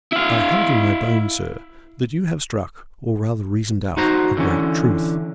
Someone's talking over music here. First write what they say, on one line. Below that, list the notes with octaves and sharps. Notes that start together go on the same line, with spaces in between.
"I have it in my bones, sir, that you have struck--or rather reasoned out--a great truth."
E4 F5
D#4 F#4 C5 A#5
D3 E3 C#4